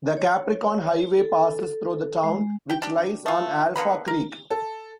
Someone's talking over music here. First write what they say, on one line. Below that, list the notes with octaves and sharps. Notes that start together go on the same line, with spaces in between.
The Capricorn Highway passes through the town, which lies on Alpha Creek.
C#5
A4
G#3
G4 G5
D4 G4
A3 F4
D3 A#3 B3 B5
A#4
A4